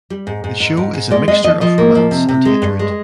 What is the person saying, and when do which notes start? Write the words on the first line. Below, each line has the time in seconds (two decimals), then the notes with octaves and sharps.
The show is mixture of romance and hatred.
0.10 G3
0.27 G#2
0.44 G#2
0.60 G#2
0.77 G#2
0.94 G#2
1.10 G#3 D5
1.28 G#3 D#5
1.44 F3 D#5
1.61 F3 D#5
1.78 A#3
1.95 F3
2.11 C3
2.29 C3
2.45 G#3
2.62 G2
2.79 G#3